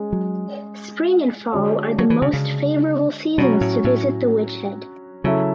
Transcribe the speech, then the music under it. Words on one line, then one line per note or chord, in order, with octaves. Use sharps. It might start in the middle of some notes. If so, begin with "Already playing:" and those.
Spring and fall are the most favorable seasons to visit The Witch Head.
Already playing: G#3 C#4 G#4
F#3
D3 G#3 D4 F#4 C#5
F#3
E3
C#3
C#3
B2 F#3 C#4 F#4
A2
A2
C#3 F#3 C#4 E4 A4 E5